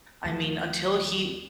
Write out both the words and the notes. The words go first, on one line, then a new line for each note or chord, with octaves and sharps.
I mean, until he,
D#2 F3 G3 A3